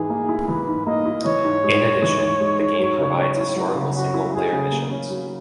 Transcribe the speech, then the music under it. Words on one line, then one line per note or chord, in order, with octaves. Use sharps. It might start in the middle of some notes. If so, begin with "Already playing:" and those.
In addition, the game provides historical single-player missions.
Already playing: G#2 E3 G#4
A#3
E4
E3 B4
G#2
A#3 D#5
E4
E3 C#5
G#2
G#3
G#2
E3
G#2
G#3
G#2
F#3
C#3
C#4
E4
F#3 F#4
C#3
C#4 F#4
E4
F#3 G#4
C#3
A#3
C#4
F#3